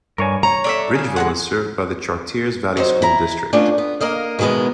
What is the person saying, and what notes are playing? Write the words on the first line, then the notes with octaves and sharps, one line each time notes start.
Bridgeville is served by the Chartiers Valley School District.
G2 A#4 C#5 G#5
C#5 A#5
D4 A4 E5
C#3 C#4 D4 G#4
G#3 A#3 F#5
F#3 D#4 C5
E4 A#5
A3 B3 C#4 D4 F4
B3
A#3 A#4 D#5 F5
B2 D#3 E3 G#3 B3